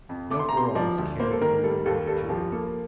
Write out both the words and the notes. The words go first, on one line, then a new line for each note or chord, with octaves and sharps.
No earl must carry memorial jewel.
F2
A3 D6
C6
A#5
C3 C6
F3 D5
D2
A#3 C5
A4
D#3 A#4
G3 A4
D#2 A4
G2 A4
F3 G4
A#3 A4